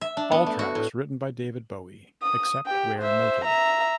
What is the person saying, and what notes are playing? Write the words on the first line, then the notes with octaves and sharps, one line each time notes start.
All tracks written by David Bowie, except where noted.
E5
D4
B3
A3
F#4
A2
D#6
G4 G5
C5 E5
E5 A#5